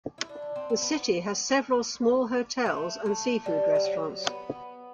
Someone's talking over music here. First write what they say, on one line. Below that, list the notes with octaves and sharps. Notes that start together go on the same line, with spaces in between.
The city has several small hotels and seafood restaurants.
E4
D4
C4
C4
B3
A3
A3
G3
G3
F#3
B3